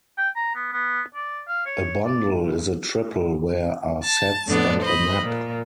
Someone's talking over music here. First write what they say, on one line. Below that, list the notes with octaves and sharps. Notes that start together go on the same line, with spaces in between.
A bundle is a triple where are sets and a map.
G5
A#5
B3
B3
D5
F5
C#5
D5
A5
F2 A2 D3 B3 D4
C5 D#5 B5
A#2